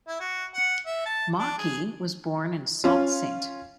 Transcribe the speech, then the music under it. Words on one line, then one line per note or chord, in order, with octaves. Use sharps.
Maki was born in Sault Ste.
E4
F#4
F#5
E5
A5
D4
G#4
C#4 F4